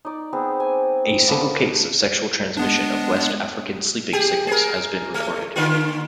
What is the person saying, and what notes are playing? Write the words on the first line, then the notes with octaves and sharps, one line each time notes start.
A single case of sexual transmission of West African sleeping sickness has been reported.
D#4 D5
B3 C4 G#4
G#5
A#3 B3 D4 A4
G#3 B3 D4
G4 G#4
G#4 A#4
A3
D3 A#3 F4